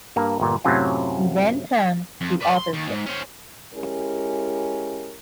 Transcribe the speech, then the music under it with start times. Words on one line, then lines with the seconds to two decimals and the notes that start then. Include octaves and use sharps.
He then turned to authorship.
0.16 G2 A#3
0.40 G1 A#2
0.64 F#2 A2 C3 F#3 C#4 F4
2.21 F2
2.41 B4 D5
2.56 C6
2.74 D#2
2.89 G#2
3.06 C#4 C5
3.75 G#3 C#4 E4 G4 A#4